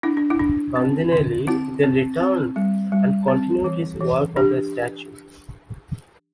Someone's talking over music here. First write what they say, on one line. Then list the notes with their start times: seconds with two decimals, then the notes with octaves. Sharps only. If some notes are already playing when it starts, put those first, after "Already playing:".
Bandinelli then returned and continued his work on the statue.
0.03 D4 E4
0.17 D4
0.30 E4
0.39 D4
0.76 C4
1.12 D3
1.48 C4 E4
1.84 C4
2.20 C4
2.56 G3
2.92 G3
3.28 C4
3.64 E3
4.00 E3
4.36 D4 G4